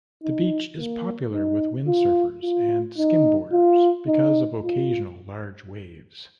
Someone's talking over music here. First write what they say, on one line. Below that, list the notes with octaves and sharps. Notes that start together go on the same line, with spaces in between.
The beach is popular with windsurfers and skimboarders because of occasional large waves.
D#4
A#3
D#4
F4
F4
D#4
F4
D#4
F4